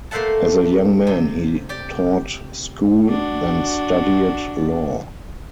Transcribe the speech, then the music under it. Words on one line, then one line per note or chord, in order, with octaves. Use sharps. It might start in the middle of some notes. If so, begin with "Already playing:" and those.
As a young man, he taught school, then studied law.
A3 A#3 C5 E5 F#5 A5
C3
G4 D5
D4 F#4